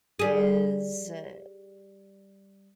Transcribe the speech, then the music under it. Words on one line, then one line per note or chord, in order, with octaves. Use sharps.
is uh,
G3 G#4